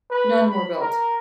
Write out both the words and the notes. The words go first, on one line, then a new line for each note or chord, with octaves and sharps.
None were built.
B4
B5
A#4